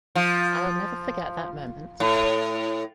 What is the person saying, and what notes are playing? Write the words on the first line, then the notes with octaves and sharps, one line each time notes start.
I’ll never forget that moment.
F3
A2